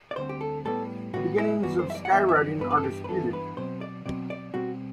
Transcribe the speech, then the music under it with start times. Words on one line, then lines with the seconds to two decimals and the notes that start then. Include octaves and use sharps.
The beginnings of skywriting are disputed.
0.11 D5
0.16 D2 D3 G3 C4 C5
0.29 G4
0.41 A4
0.65 A2 G3 B3 A4
1.13 A2 G3 B3 F#4
1.38 E4
1.62 F#2 E3 G3 B3 F#4
1.79 C5
1.90 E5
1.95 D5
2.05 F#5
2.11 F#2 E3 G3 B3 E5
2.29 E5
2.36 D5
2.59 G2 E3 B3 D4 B4
2.71 B4
2.77 A4
2.84 G4
3.04 B4
3.09 G2 E3 B3 D4 A4
3.33 B4
3.57 B2 F#3 C4 C5
3.81 D5
4.05 B2 F#3 C4 D5
4.30 D5
4.54 B2 G3 C4 F#4